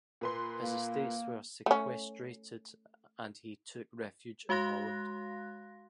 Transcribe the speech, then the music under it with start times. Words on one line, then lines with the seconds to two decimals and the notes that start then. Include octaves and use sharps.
His estates were sequestrated and he took refuge in Holland.
0.21 A#2 B4 C6
0.62 A#3
1.66 A3 C#4
4.49 G#3 F#4 F5 C6 F#6 A#6